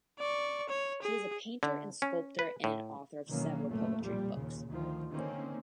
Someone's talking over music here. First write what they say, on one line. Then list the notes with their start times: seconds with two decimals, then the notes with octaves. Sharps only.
He is a painter and sculptor and an author of several poetry books.
0.19 D5 C#6
0.69 C#5
1.02 G#4
1.63 D3
2.02 C#4
2.39 B4
2.64 A2
3.29 B2 D#3 E3 F#3 A#3 C#4
3.68 F#1 F#2 A#2 A3 A#3
4.00 B1 F2 A#2 G3
4.35 D#2 A#2 C#3
4.67 D2 D#3 F3
5.10 D3 D#3 A#3 C4 C#4